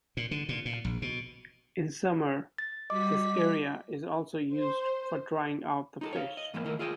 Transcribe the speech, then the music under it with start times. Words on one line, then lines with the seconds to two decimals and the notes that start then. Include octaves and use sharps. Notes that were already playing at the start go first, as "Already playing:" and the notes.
In summer, this area is also used for drying out the fish.
0.17 A#2
0.31 D3
0.49 A#2
0.65 A#2
0.85 A#1
1.02 B2
2.58 A6
2.90 G3 F#4 D#5 D6 B6
4.54 C5
6.01 D#4 F#4 A4
6.13 C#5 F5
6.37 D#5
6.54 G#2 E3 A#3 B3
6.66 D#3 E3 A3 A#3 E4 A#4
6.79 F4 G#4 D#5 E5 G5